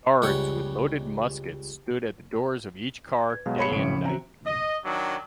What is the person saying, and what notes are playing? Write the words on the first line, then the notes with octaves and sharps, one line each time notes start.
Guards with loaded muskets stood at the doors of each car day and night.
C#2 G3 C#5 F#5
B4 G#6
B2 F#3 G#3 F5
C#5 B5 C#7
G#1 A2 C#3 F3 C#4 D7
E3 C4 F#4 A#5
D#5
D#3 F#3 D4